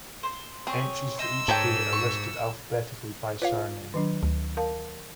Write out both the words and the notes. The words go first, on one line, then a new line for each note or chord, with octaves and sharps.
Entries for each day are listed alphabetically by surname.
C5
C4 G#4 C#5
D#4 C5 E6
G#2 A4 C#5 G5
C#6
F4 B4 C#5 F5
D#3 F#3 D4
D2
A#4 F5 A5